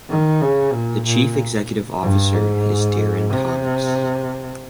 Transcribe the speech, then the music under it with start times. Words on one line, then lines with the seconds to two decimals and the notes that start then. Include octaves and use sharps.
The chief executive officer is Darren Thomas.
0.10 D#3
0.42 C#3
0.73 A#2
1.06 A#2
2.03 G2
2.34 G#2
3.30 C3